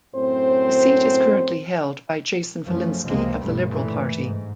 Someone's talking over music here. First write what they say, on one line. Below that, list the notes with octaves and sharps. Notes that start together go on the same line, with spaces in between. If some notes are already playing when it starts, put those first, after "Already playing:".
The seat is currently held by Jason Falinski of the Liberal Party.
F#2 A2 C4 C5
F#2 F3 A3 C#4
C#2 C3 F3 G#3 A#3 C4
B1 G2 B2 G3 A3
A#2 E3 A3
G#2